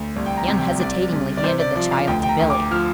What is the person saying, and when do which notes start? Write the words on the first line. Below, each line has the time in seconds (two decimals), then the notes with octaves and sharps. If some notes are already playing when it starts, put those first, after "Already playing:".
He unhesitatingly handed the child to Billie.
Already playing: D2
0.16 C2
0.26 G5
0.37 A#5
0.48 C3
0.58 G5
0.79 C2 D5
1.12 C2
1.37 D5
1.44 C3 C5
1.60 D5
1.75 F3 D5
1.92 F5
2.07 D2 G5
2.23 G5
2.29 A#5
2.39 D2
2.50 D6
2.71 F3 F6